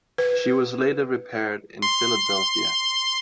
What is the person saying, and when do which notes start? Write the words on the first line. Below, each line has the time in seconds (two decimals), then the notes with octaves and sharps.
She was later repaired in Philadelphia.
0.18 B4
1.82 C6